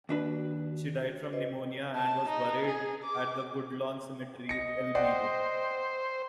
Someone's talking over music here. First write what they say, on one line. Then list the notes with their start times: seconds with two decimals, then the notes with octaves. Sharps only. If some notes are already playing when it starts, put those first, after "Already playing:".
He died from pneumonia, and was buried at the Woodlawn Cemetery, Elmira.
0.09 D#2 D4 F#4 B4
1.33 B4 C5 D#5
1.95 A5
2.28 D#4
2.66 G#4
3.03 D6
4.49 D#5 A#6 C#7
4.95 C5 D5 F#5 G5